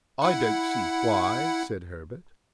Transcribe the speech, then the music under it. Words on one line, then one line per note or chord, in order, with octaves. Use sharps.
"I don't see why," said Herbert.
E4 F#5